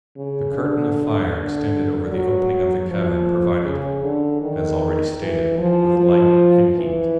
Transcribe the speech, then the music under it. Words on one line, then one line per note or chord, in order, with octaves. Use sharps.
The curtain of fire extending over the opening of the cavern provided it, as already stated, with light and heat.
C#3
D3
D3
F#3
F3
C#3
D3
D#3
E3
F3
F3
E3